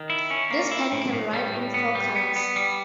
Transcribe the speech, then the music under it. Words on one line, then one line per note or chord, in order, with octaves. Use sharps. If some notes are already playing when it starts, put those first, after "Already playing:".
This pen can write in four colors.
Already playing: D#3
E4
C#4
A#3
E4
A2
A2
G3
A2
B3
G3
B3
B3
G3